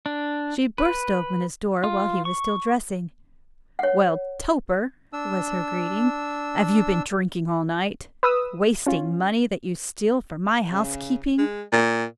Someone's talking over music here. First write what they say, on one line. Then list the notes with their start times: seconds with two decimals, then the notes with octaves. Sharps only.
She burst open his door while he was still dressing: 'Well, Toper!' was her greeting, 'have you been drinking all night, wasting money that you steal from my housekeeping?
0.06 D4
0.78 B4
1.84 F4
2.25 C#6
3.79 C#5 F#5
5.13 D4 E6
8.23 B4 D#6 E6
8.86 C#4 F4
10.71 C#3
11.38 G#3
11.72 A#2